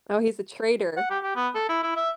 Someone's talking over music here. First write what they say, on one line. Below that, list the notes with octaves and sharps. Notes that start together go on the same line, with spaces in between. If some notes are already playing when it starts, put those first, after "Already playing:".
Oh, he's a traitor.
F#5
G4
G4
B3
A4
E4
E4
E5